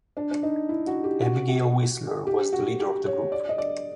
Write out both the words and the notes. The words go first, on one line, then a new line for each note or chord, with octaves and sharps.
Abigail Whistler was the leader of the group.
D4
D4
D#4
E4
F#4
G4
F#4
F#4
G4
F#4
G4
C#5
D5
D#5
D5